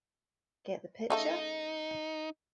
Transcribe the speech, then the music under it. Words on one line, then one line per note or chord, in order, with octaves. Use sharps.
Get the Picture?
C#3 A3 D#4 A4